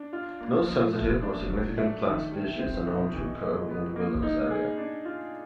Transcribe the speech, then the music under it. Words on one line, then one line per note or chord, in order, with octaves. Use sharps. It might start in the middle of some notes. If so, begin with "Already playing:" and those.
No sensitive or significant plant species are known to occur within the wilderness area.
Already playing: D4
F4
A#3
F3
A3
D4
F#3
A3
D#3
G3
C4
B2
E3
G#3
B3
A#3
D#4
G#4
D4
F4